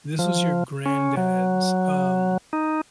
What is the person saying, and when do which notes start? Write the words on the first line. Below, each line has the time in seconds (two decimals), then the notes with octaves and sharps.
this was your granddad's, um,
0.19 F3
0.86 C#4
1.17 F#3
2.53 D#4